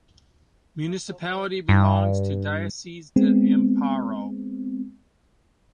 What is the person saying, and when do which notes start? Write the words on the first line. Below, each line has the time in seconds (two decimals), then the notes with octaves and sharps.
Municipality belongs to Diócesis de Amparo.
1.69 G2
3.16 G#3 B3 C4